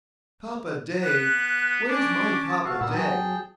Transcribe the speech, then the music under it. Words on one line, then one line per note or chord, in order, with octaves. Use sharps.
"Papa-day, where's my Papa-day?"
B3 F#6
C#4 D4 D6
A5
F#4 A4 F5 A5
A#2 B3 A#4 E6
F#3 G#4 G5 A5